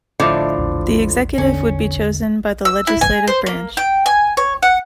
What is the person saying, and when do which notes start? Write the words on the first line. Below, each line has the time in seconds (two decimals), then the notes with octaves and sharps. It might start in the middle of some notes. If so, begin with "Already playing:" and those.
The executive would be chosen by the legislative branch.
0.20 A2 D3 F3 D#5 E5
0.58 A#1 E2
1.38 A1 E2 D3 C#4
2.65 E6
2.87 E4
3.01 G#5
3.27 C5
3.46 A#3
3.77 G5
4.06 G#5
4.37 C#5
4.63 F#5